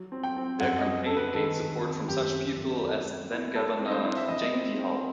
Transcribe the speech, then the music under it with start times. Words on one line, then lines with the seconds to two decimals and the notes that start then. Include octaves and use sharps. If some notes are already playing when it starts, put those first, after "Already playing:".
Their campaign gained support from such people as then-Governor Jane Dee Hull.
Already playing: F#3
0.12 C4
0.23 G5
0.37 C4
0.60 F#2 F#5
0.79 D#5
0.85 F#3
1.06 C4 A4
1.17 B4
1.34 D#3 A4
1.59 D#3
1.84 C4
2.08 F#2 G4
2.33 C4
2.57 F#2
2.82 A3
3.06 A3
3.31 E4
3.55 A3 A4
3.80 C4
3.86 D#5
3.91 C5
4.04 E4
4.16 E5
4.29 E3 D#5
4.53 C4
4.78 C4